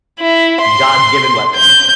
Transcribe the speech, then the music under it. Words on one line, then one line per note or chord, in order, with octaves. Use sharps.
God's given weapon.
E4
C6
G6